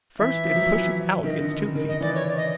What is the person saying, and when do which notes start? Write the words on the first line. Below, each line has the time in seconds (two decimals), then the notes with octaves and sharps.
First, it pushes out its tube-feet.
0.19 E3 E5
0.45 F3
0.56 F#3
0.63 F3
0.71 E3
1.23 D#3 D#5 E5
1.40 D3
1.58 C#3
1.75 D#3
1.88 D#5
2.01 E3 D5
2.14 C#5
2.27 D5
2.37 D#5